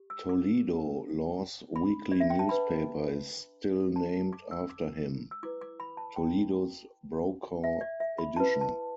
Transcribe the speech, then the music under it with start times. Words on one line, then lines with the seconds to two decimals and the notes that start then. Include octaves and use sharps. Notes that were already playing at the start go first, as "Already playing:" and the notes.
Toledo Law's weekly newspaper is still named after him: "Toledo's Brokaw Edition".
Already playing: G4
0.10 E6
0.29 D6
1.76 B5
2.11 D5
2.20 E5
2.30 G5
2.39 A5
2.49 D4 B4 B5
3.96 A5
4.33 D6
4.51 E6
4.70 D6
5.31 E6
5.43 E4 B4 D6
5.61 D6
5.80 B5
5.97 A5
6.16 G5
7.64 E5
7.81 D5
8.00 E5
8.18 B5
8.37 E4 B4 A5
8.61 A5